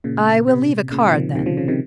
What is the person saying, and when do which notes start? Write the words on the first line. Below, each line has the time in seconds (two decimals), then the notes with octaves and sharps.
"I will leave a card then."
0.04 A#2 C#3
0.48 C3
0.92 A#2 C#3
1.08 F3
1.14 C3 D#3
1.35 C3 D#3
1.46 C#3 F3
1.57 C#3 F3
1.68 C3 D#3